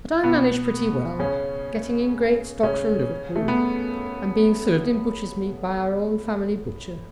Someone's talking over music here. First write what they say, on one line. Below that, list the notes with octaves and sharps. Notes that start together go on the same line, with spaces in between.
But I manage pretty well, getting in great stocks from Liverpool, and being served in butcher's meat by our own family butcher.
B2 B3
C#3 C#4
C#3 C#4
A3
B3